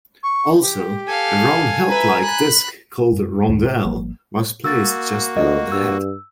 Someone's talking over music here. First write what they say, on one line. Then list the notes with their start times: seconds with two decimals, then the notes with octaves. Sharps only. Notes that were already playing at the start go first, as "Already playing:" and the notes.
Also, a round hilt-like disc called a "rondelle" was placed just below the head.
0.23 C#6
0.61 G4
1.08 A4 F5 G#5
1.89 B4 E5 A#5
2.23 B5 F#6
3.13 F#2
3.49 C#2 F#2 A2 D#3
3.69 A2
3.85 G#1 F3 G3 A#3
4.64 A#3 F#4 E6 A6
5.37 D2 D#5
5.72 G2 E6